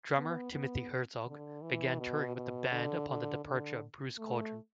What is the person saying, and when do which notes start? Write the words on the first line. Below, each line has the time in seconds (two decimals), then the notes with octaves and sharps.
Drummer Timothy Herzog began touring with the band upon the departure of Bruce Cawdron.
0.17 B3
0.53 B3
1.26 D3
1.62 E3
1.99 B2
2.36 B2
2.72 D3
3.09 D3
3.45 D3
4.18 A3